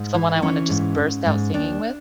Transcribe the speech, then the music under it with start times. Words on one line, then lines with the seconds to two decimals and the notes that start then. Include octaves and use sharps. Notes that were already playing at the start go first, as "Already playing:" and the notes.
someone I wanna just burst out singing with.
Already playing: G#2
0.14 E3
0.42 E3 C#4
0.70 G#2
0.98 G#2
1.26 G#2
1.54 D#2 D4